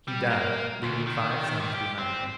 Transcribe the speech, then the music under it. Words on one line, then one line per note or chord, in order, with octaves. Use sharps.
He died, leaving five sons behind him.
G3
A#3
D2
D#3
A#2
G4
C4